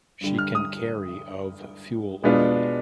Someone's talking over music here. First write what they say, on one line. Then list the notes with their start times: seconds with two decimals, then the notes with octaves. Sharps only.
She can carry of fuel oil.
0.21 G2 D3 G3
0.39 F6
0.55 D#6
2.24 B2 G#3 B3 D4 F4